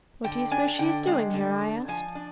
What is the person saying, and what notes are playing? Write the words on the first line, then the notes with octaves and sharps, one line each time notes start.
"What do you suppose she is doing here?" I asked.
D3 G5
D4 G#5
D3 G5
G#3
D3
D4
F3 G#5
D4